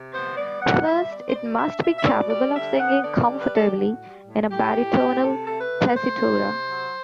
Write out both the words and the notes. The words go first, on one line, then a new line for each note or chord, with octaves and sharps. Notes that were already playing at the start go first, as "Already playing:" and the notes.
First, it must be capable of singing comfortably in a baritonal tessitura.
Already playing: C3
B3 C5
G3 D5
G3 F#5
G3 E5
B3 D5
C5
B2 D5
D4 E5
B2 E5
E5
B2 D5
G3 D5
D3 E5
B3 F#5
D3 D5
G3
B4
D3 A4
G4
A2 F#4
G3
A2
A2 G4
A2
A2
C3 A4
A3 A4
B4
C3
A3 C5
C3
C3
F#3